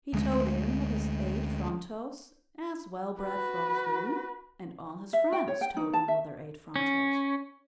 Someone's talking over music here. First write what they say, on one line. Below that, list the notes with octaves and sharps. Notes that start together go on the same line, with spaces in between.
He toed in with his eight front toes, as well-bred frogs do, and all his friends toed in with their eight front toes.
D2 G#3
F#4 B4
E5
G5
C#5
G5
D#4
A5
E5
C#4